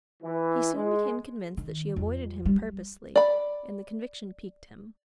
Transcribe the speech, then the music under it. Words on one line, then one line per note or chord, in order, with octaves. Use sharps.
He soon became convinced that she avoided him purposely and the conviction piqued him.
E3
G#3
D#3
F2
G3
D5 B5